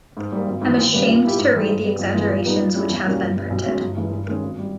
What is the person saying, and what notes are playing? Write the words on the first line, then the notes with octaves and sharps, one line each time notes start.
I'm ashamed to read the exaggerations which have been printed.
G#2
G3 A#3
G#1
G#2
E3
D#2
C#3 G3 B3
A#2
A#3 E4 G4
G#2
E3 G3
G2
G3 B3
G1
G2 E3 G#3 B3
A#2
G3 B3 D#4 G4
A#2
G3 C#4 E4 G4
E2
B2 G3 A#3 C#4
G1
G2 G3
B1
B2 G#3 C#4
G1
G2 E3 G#3
G2
D#3 G#3 C#4
G#1
G3